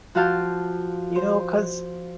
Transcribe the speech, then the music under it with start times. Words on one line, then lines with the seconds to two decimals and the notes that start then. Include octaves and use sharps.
You know? 'Cause,
0.15 F3 F#4 G4 F5 A5 G6
1.16 C5